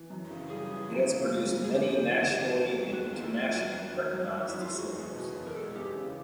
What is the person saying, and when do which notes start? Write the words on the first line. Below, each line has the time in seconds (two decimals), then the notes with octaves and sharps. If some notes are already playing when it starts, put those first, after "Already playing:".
It has produced many nationally and internationally recognised swimmers.
Already playing: E3
0.10 F#2
0.30 C#3
0.50 G3 G#4
0.71 E3
0.91 F#2
1.11 C#3
1.32 G#1
1.52 F#2
1.64 G#4
1.72 E3 G4
1.92 C#3
2.12 G#1
2.32 D#3
2.53 F1
2.73 D#2
2.92 G#3 F#4
3.12 D#3 F4
3.23 E4
3.33 F1 F4
3.53 F#3 F#4
3.73 F#2
3.94 D#3
4.14 F#2
4.34 F#3
4.48 E4
4.54 F#2
4.62 F4
4.74 G#3 F#4
4.95 E2
5.15 B2
5.35 E2
5.47 A#4
5.55 G#3 A4
5.75 E2 G4
5.95 C#3